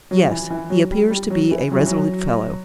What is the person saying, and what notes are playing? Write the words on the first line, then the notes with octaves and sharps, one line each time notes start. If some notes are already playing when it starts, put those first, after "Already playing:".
"Yes; he appears to be a resolute fellow."
F#3
E3
E3
F#3
G3
G3
F#3
E3
F#3
E3
F#3